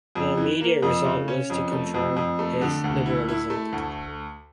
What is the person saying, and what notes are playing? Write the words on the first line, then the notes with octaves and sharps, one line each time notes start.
The immediate result was to confirm his Liberalism.
F2
E3
A#3
F2
C#3
C#4
F2
A3
F2
F2
A3
D3
D2
E4
E4
A3
D2